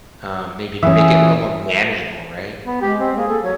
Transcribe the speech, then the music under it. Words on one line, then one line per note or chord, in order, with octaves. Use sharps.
um, maybe make it a little more manageable, right?
E3 C#4 G#4 E5
B3
G#3 G4
C4
A#3 G#4
A4
F#3 C#5